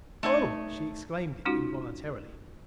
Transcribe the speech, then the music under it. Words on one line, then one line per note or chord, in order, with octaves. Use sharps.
"Oh!" She exclaimed it involuntarily.
A3 D#4 C#5
G#3 C#4 D#4 F4 F#4